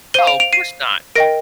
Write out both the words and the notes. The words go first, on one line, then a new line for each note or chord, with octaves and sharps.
Oh, course not.
C5 F5 D#7 G7
D7 F7
D7 F7
C7 D#7
A#4 D#5 G5 A#6 D7